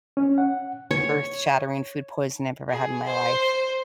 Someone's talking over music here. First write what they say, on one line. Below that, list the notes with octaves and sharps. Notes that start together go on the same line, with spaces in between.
earth shattering food poison I've ever had in my life.
C#4
F#5
C#5
G#4
C5